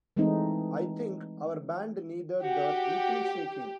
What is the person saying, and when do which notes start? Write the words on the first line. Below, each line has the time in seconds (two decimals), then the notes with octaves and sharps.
I think our band needed that little shaking.
0.17 E3 G#3 A3 C4 D#4
2.43 F#4 G4